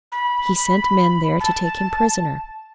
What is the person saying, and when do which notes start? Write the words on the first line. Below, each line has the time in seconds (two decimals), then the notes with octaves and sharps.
He sent men there to take him prisoner.
0.12 B5
1.40 A5